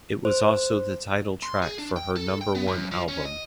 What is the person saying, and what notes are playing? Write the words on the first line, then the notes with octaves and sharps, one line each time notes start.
It was also the title track for her number one album.
C5
C6
G#4
D4
G5
A4
G5
B3
F#2
F3
C#4
D#5